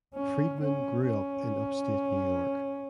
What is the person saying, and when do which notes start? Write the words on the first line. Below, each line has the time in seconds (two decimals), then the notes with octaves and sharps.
Freedman grew up in Upstate New York.
0.15 C#4
0.61 C#4
1.07 C#4